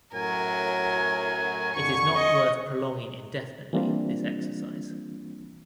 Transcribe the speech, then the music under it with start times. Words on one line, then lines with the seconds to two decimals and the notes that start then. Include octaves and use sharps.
It is not worth prolonging indefinitely this exercise.
0.14 F#2 A2 F#3 A#4 G#5
1.75 F2 D3 C#6
2.15 D#5
3.73 E3 G3 A#3 C4 D4 F4